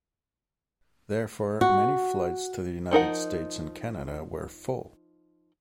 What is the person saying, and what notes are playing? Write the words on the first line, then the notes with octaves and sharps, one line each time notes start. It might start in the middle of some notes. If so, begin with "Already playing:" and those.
Therefore, many flights to the United States and Canada were full.
F#4
F3 D#4 A#4 F#5